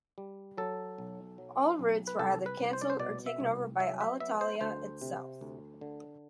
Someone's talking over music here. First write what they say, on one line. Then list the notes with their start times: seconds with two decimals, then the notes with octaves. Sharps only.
All routes were either cancelled or taken over by Alitalia itself.
0.18 G3
0.57 F#3 A4
0.98 B1
1.38 F#3
1.79 B1
2.07 B4
2.19 C2 A4
2.46 B4
2.59 C2
2.73 C5
2.81 D5
2.90 C5
2.99 B2 D5
3.26 E5
3.40 C2
3.80 F#3 E5
4.01 E5
4.20 B3 E5
4.41 C5
4.61 D2 C5
5.01 C3
5.41 D2
5.81 D3